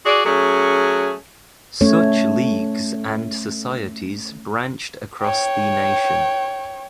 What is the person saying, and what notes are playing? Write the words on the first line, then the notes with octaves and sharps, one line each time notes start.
Such leagues and societies branched across the nation.
F#4 G#4 D5
F#3 A3 C#4 G#4
A3 C#4 C#5
C#5 G5